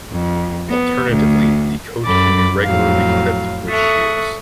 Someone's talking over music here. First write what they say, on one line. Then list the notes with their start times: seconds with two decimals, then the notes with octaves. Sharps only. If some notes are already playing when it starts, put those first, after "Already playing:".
Alternatively, the coat can be regularly clipped with shears.
0.12 F2
0.69 B3
1.10 D2
2.05 F#2 A4 B5 D6 A6
2.63 F2 A2 F#3 F5
3.69 A4 E5 C#6 D#6 F#6